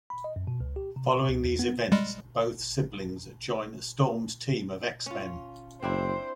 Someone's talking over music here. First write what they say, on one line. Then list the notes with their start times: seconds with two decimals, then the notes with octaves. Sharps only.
Following these events, both siblings join Storm's team of X-Men.
0.10 B5
0.24 D#5
0.36 F#2
0.47 B2
0.60 C#2
0.76 G4
0.96 C3
1.13 C#6
1.29 C#2
1.43 E2
1.59 B3
1.92 G3 G#3
5.06 C#4 F4
5.83 F#1 C4 D4 E4 C5